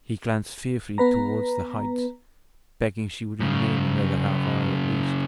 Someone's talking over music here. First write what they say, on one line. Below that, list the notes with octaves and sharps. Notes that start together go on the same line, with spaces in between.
He glanced fearfully towards the Heights, begging she would remain another half-hour, at least.
B3 B4 A#5
F#2 C#3